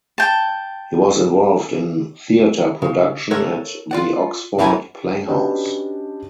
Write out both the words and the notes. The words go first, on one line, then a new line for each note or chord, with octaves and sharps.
He was involved in theatre production at the Oxford Playhouse.
G5 A5
C#3
A4 A#4 C#5 E5 F#5
F4 D5 F#5
F#2 E3 G3 E4 G#5
C#4 D4 F#4 G4 B4 D#5